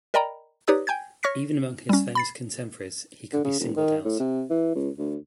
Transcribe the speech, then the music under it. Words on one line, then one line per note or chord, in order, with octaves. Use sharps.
Even among his famous contemporaries he could be singled out.
A#4 D5 D#5 G5 A#5 B5
D#4 G4 B4 C#5 D5 D#6
G5 G#5 G6 G#6
C#5 C#6 F6 A#6 B6 C#7
G3 C#4
B5 A6 C7
D3
C#3
E1
D#3
A2
C3
E3
C#2
D2